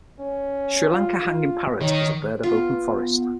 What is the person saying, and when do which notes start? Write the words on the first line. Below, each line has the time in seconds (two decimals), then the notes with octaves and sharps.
Sri Lanka hanging parrot is a bird of open forest.
0.19 C#4
0.90 F4
1.19 F4
1.81 D#3 D#4 C#5
2.43 B3 F4